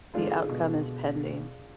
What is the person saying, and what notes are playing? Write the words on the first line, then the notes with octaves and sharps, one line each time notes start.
The outcome is pending.
G#2 D3 G#3 D4 F4
G#2
B2
B2